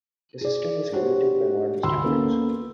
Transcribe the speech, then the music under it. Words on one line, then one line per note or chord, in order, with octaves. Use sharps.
The system was primitive by modern standards.
G#4 D5
D4 F#4 G4 C5 C#5
D2 B5 C6 E6
A#3 B3 C#4 A4